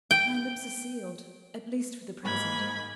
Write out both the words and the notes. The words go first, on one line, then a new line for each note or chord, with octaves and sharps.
But my lips are sealed--at least for the present.
G5
G#2 G#3 A#3 B5 G#6